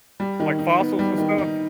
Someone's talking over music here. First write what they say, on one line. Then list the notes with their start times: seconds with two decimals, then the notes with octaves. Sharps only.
Like fossils and stuff?
0.20 G3
0.40 D#3
0.59 D#4
0.79 B3
0.99 G3
1.18 D#3
1.38 D#4